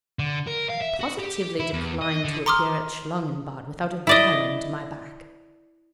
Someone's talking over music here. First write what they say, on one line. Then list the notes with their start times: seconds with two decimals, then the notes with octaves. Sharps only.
I positively decline to appear at Schlangenbad without a diamond to my back.
0.19 D3
0.47 A#4
0.69 F5
0.81 E5
1.00 F#4
1.19 G4
1.60 E4
1.74 E2
2.02 D#5
2.25 D3
2.46 A#5 C6 D6 D#6 F6
4.07 E4 D5 D#5